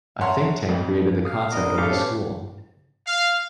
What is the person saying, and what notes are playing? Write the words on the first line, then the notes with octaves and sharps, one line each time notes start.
A think tank created the concept of the school.
C#5 E5 F#5 A5 A#5 C6
F2 A2
F5 D#6
B3 D4 A#4 D#5
A2 D4 G4 A4 F5
C#4 B4 C5
F5